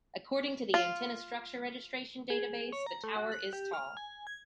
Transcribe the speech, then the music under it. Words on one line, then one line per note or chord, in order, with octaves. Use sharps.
According to the Antenna Structure Registration database, the tower is tall.
F4
G#4
C#5
A#5
A3
F#4
F#6
G4
F6
G#5
G#6